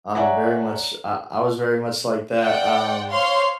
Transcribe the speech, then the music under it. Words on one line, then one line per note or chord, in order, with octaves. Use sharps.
I'm very much I I was very much like that, um
C#5 D5 E5 F#5 G#5 A#5
D5 F#5 G5
C5 C#5 F5 C6